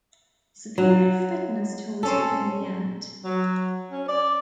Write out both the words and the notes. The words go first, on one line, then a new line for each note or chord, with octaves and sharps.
Superior fitness told in the end.
F#3
C4 C#4 A4
F#3
C#4
D5